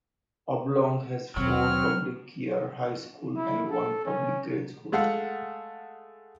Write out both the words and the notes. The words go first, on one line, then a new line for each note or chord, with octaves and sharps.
Oblong has one public four year high school and one public grade school.
D#2 B2 F#3 C4 F6
E4
A4
C#4
G#3 A3 F5 F#5